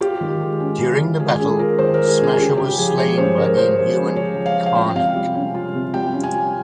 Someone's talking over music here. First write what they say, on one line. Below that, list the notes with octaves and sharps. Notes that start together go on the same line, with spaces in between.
During the battle, Smasher was slain by the Inhuman Karnak.
F4 G4
D#3
G#3
C#4
F4
D#3
G#3 G#4
C#4 G#4
F4 A#4
D#3 C5
G#3 A#4
G#4
C#4 G#4
C#4 G4
C#3 G4
F3 G#4
G#3 C#5
C#4 C5
C#3 A#4
F3 C5
G#3
C#4
C#3 C#5
F3
F5
G#3
F5
F4 G5
C3 F5
G3
C#4
F4
C3
G3 G5
C#4
G#5
F4